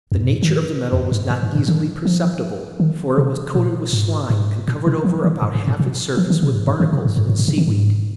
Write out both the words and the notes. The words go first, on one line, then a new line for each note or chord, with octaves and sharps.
The nature of the metal was not easily perceptible, for it was coated with slime, and covered over about half its surface with barnacles and sea-weed.
F2
G#2
C3
A#2
D#3
F2
G#2
A#2
G#2
A#2
D#3
F3
D#3
C3
A#2
G#2
G#2
A#2
C3
F3
D#3
G#2
G#2
A#2
C3
F3
D#3
C3
A#2
G#2
G#2
D#3
C3
G#2
G#2
G#2
A#2
C3
D#3
G#2